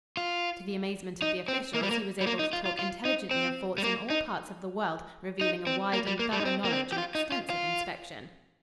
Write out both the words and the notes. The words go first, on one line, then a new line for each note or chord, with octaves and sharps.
To the amazement of the officials, he was able to talk intelligently of forts in all parts of the world, revealing a wide and thorough knowledge and extensive inspection.
F4
D#4
C4
A#3
G3
A#3
G3
A#3
D#4
F4
F4
F4
D#4
C4
G3
A#3
D#4
D#4
C4
A#3
G3
A#3
G3
D#4
C4
A#3
C4
G4
F4
D#4
F4
F4